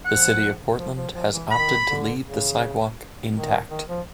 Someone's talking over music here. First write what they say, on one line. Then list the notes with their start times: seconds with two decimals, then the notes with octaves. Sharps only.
The City of Portland has opted to leave the sidewalk intact.
0.05 F3 F#5
0.78 F3
0.96 F3
1.14 F3
1.32 E3
1.51 D#3 B5
1.87 D3
2.23 C#3
3.33 D#3
3.70 D#3
3.88 F3